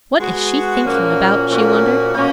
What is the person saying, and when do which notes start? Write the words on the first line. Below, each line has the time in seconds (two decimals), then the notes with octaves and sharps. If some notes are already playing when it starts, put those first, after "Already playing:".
"What is she thinking about?" she wondered.
0.18 G#3 B3 F#4
0.83 A#2 F3 A#3 C#4 F#4
1.49 A#2 F3 A#3 C#4 F#4
2.14 B2 A#3 C#4